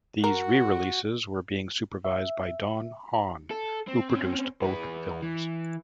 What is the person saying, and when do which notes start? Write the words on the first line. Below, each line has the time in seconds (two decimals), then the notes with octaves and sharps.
These re-releases were being supervised by Don Hahn, who produced both films.
0.24 F#4 A#4
2.05 E5
3.51 A4
3.88 C4
4.10 C4 C#4
4.62 E2 B4
5.23 E3